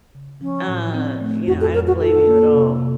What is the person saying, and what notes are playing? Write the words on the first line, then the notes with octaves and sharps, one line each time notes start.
uh you know, I don't blame you at all.
C#3
F3 C#4
A2
C4
A3
F2 F#4
A4
F2 A#4
F#4
F4 A4
A#3
C3
C3